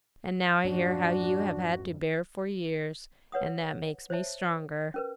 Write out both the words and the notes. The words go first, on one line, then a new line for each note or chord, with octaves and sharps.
And now I hear how you have had to bear for years, and that makes me stronger.'
F#2 A2 F3 D4 F#4
B4 C#5 F#5 D#6
C5 C#5 E5 A5
C#4 A#4 B4